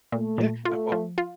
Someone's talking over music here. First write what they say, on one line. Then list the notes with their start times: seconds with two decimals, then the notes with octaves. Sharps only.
Yeah, uh, well,
0.12 A#2 A3
0.38 A#2
0.65 A3 F4
0.92 F3
1.18 F4